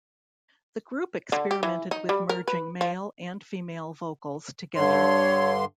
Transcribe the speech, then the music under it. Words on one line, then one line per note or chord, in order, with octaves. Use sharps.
The group experimented with merging male and female vocals together.
D3
G4
E3
D#4
G3
A#4
B4
F3
G2 D3 C#5 C6